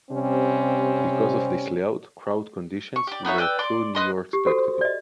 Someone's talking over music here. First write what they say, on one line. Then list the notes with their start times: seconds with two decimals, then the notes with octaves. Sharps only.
Because of this layout, crowd conditions were a true New York spectacle.
0.11 C3 G3 C4 C#4
2.96 C#6
3.07 G4 D5
3.25 B3 D#4 C#5 E5
3.38 B4 D5 G5 E6
3.59 D5 C6 D6
3.95 B4 D#5 C6
4.33 G4
4.47 F#4 A4 C5
4.81 D5 D#5